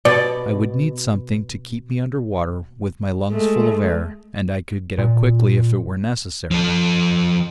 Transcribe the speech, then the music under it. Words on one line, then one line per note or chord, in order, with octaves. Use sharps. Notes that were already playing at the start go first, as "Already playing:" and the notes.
I would need something to keep me under water, with my lungs full of air, and I could get out quickly if it were necessary.
B2 D5
G#3 A3
A#2
F3 A4